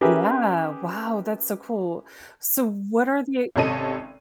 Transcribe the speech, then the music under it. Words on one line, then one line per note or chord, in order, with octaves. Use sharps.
Yeah, wow, that's so cool. So what are the
C#4 G4 G#4 A#4 B4 E5
G#1 C3 C#4 A4 D#5 D#7